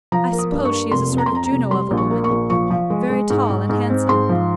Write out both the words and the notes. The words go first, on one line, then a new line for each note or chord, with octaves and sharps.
I suppose she is a sort of Juno of a woman,--very tall and handsome.
F3 A#5
A#3
D#6
G2
C#6
A#3
F1 C6
F2
A#5
C6
F2 A#5
A#5
F1
G3 C6
A#1
C#6
A#3
C#6
A#1
F3 C#6
F3
G#3
G#3
G#2
G#2
G#2
C4
G#2 C6
F3